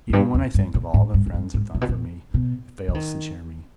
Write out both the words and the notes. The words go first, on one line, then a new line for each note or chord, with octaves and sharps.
Even when I think of all that friends have done for me, it fails to cheer me.
E2
G2
E2
G2
A#2
G#2
G2
E2
G2
G#2
A#2
B2
A#2
B2
E3
D#3